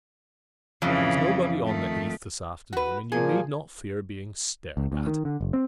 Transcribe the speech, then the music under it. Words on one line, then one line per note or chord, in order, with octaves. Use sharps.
There is nobody on the heath this afternoon, and you need not fear being stared at.
F2 C#3 E3
D#3 A3
F#4 B4
A#2 F3 A#3 G#4
C#2
D2
D#3
D3
F#1
C4